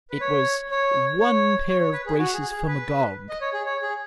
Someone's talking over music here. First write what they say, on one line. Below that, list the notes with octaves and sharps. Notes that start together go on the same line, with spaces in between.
It was one pair of braces for Magog.
B4
C#5
C#5
C#5
C#5
C#5
B4
G#4
F#4
G#4
G#4
B4
D#5
C#5
G#4
C#5
G#4